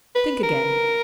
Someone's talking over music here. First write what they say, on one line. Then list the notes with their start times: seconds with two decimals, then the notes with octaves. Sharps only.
Think again.
0.15 B4
0.43 A#4